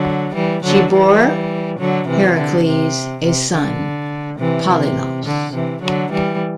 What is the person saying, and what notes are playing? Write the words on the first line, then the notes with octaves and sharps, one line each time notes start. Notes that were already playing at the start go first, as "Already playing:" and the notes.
She bore Heracles a son, Polylaus.
Already playing: D3 F#3
E3 G3
D3 F#3
E3 G3
D3 F#3
C3 E3
D3
C3
C3
D3
C3 E3
C3
D3
C3 E3
D3 F#3
E3 G3